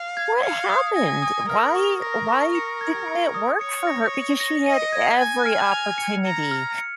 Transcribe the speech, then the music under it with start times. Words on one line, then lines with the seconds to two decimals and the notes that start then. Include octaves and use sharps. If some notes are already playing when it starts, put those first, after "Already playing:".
what happened? Why why didn't it work for her?" Because she had every opportunity,
Already playing: F5
0.17 G#6
0.43 F5 C#7
0.70 D#6
0.96 G#5 A#6
1.22 D#6
1.48 A#4 F6
1.76 C#6
2.02 A#4 A#6
2.28 C#6
2.54 A#4 C#7
2.81 G#6
3.08 C#7
3.34 D#6
3.61 C#5 C#7
3.87 A#6
4.14 C#7
4.40 A#6
4.66 D#5 D#7
4.93 G#6
5.19 G#5 G#6
5.46 F6
5.72 F7
5.98 C#7
6.25 A#5 C#7
6.51 F6
6.78 C#7